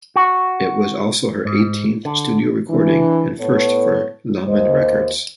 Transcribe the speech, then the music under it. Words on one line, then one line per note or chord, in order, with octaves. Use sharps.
It was also her eighteenth studio recording and first for Lamon Records.
F#4
G#2
D3
E3 D4
A2 B3 A4 B4 C#5
D#2 C5 D#5